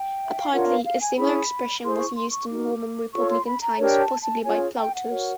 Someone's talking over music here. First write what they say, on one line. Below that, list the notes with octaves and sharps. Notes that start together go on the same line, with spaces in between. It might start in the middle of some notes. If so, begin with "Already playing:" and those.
Apparently, a similar expression was used in Roman Republican times, possibly by Plautus.
Already playing: G5
E5
F5
D4 F4 A#4 C#5 F#5
F5
F5
G#5
C#4 E4 G#4 B5
E4 G#4 C5 C6
C#6
C6
C#6
D#4 F#4 A#4 D6
F4 A4 C#5 C#6
C6
B5
A#5
D4 G4 A#4 C#5
A5
A5
C#4 F4 G#4 C#5 G#5
G5
F#5
F#4 A#4 C#5